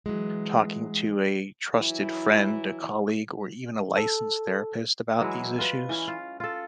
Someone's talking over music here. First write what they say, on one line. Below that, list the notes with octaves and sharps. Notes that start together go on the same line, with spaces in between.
talking to a trusted friend, a colleague, or even a licensed therapist about these issues?
E3 F#3 G#3
E3 F#3 E4
A4
E3 F#3 G#3 E4
F4 B4
E3 C#4
F4
F4 A4